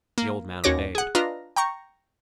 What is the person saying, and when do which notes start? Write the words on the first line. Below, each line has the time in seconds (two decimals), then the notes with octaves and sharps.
The old man obeyed.
0.18 A#3
0.64 D#2 C#4 F#4 C#5 D6 A#6
0.95 G#4 F#5
1.15 D4 F4 B4 D#5 F5 A#5
1.56 G5 A#5 C#6